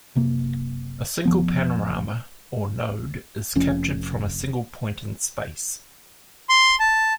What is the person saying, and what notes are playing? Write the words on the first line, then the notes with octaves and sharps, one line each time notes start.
A single panorama, or "node" is captured from a single point in space.
F#1 C3 A#3
F1 F3 B3
F1 F2 C#4
C6
A5